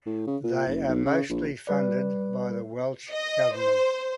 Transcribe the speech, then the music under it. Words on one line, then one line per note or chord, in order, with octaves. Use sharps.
They are mostly funded by the Welsh government.
A2
C#3
A#2
F#1
B1
C#3
A#1
G3 B4 D5
D#5
C5